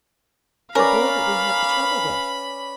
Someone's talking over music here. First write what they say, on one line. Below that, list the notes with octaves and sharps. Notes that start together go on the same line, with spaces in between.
The bull that we had the trouble with.
C#4 A#4 B4 D5 F5 B5